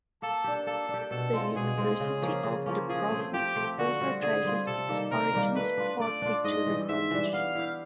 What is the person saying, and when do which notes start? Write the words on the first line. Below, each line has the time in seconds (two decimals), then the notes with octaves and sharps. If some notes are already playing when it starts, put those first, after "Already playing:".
The University of Dubrovnik also traces its origins partly to the college.
0.22 A#3 A4
0.44 D4 G4
0.67 A#3 A4
0.89 D4 G4
1.11 B2 A4
1.33 G#3 C4 F4
1.55 B2 G#4
1.78 G#3 C4 F4
2.00 C#3
2.22 F3 A#3 C#4
2.44 C#3
2.66 F3 A#3 C#4
2.89 F3 G#4
3.11 A3 C4
3.33 F3 G4
3.56 A3 C4
3.78 D3 F#4
4.00 G3 C4 F4
4.22 D3 G#4
4.45 G3 C4 F4
4.66 C3 A4
4.88 D#3 G3 A#3
5.11 C3 A#4
5.33 D#3 G3 A#3
5.55 A3 B4
5.77 D4 F4
5.99 A3 D5
6.22 D4 F4
6.44 G#2 D#5
6.66 E3 G3
6.88 G#2 E5
7.11 E3 G3
7.33 B3 F5
7.55 E4 G4